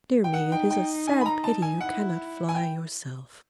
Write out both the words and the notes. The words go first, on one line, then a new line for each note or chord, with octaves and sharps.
Dear me! it is a sad pity you cannot fly yourself.
G5
D#4 F#5
G5
G5
G#5
B5
A#5
A5
G#5
E4 F#5
G#5
G5